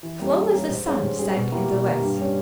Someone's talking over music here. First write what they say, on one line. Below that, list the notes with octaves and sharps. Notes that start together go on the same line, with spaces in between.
Slowly the sun sank in the west.
E3
G3 A#3 C#4
E3
G3 A#3 C#4
G#2
G3 C#4 G#4
G#2
G3 C#4 G#4
B2
A#3 E4 G4
B2
A#3 E4 G4
G2
G3 C#4